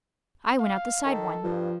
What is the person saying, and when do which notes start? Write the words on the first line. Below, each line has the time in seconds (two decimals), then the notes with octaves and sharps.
I went out the side one.
0.59 F5
1.05 D#3 A4
1.44 G2 F3